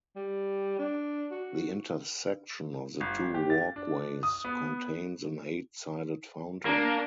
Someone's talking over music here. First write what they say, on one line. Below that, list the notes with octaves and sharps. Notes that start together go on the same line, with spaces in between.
The intersection of the two walkways contains an eight-sided fountain.
G3
D4
F#4
G1
G4
A6
D4
D#6
B3
A#3 D4